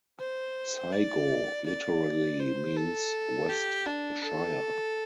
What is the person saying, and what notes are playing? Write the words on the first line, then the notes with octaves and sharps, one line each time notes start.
Saigo literally means "west shire".
C5
D5
D5
C5
A4
G4
D4
A4